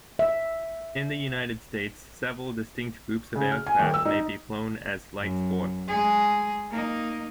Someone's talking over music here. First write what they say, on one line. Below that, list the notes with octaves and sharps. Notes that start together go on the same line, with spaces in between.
In the United States, several distinct groups of aircraft may be flown as light-sport.
E5
C#3
F6
G#5
D#1
E6
D#4
F#2
G#3 G#4
A#3 D#4